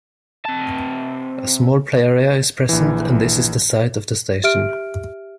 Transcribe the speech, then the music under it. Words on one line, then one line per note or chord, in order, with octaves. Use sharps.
A small play area is present and this is the site of the station.
C3 A5
A#1 E3
G4 E5 F6 D7